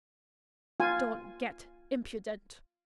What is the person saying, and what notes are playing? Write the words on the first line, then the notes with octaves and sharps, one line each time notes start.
"Don't get impudent."
F4 G#5